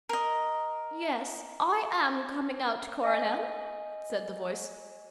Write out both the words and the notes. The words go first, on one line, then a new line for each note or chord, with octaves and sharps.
"Yes, I am coming out, Coronel," said the voice.
A#4 D#5
D#5 G#5